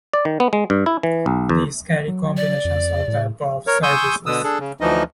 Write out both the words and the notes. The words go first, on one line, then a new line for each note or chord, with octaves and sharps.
These carry combinations of the above services.
D5
D#3
B3
G#3
G2
E4
E3
B1
E2
F#3
D5
F2
A2
A#4 C#5
G#5 C6 C#6 D#6 E6 G6
B2 D3 D#6 E6
D4 G#4 A4
C#3
D2 E3 F3 D#4 D#5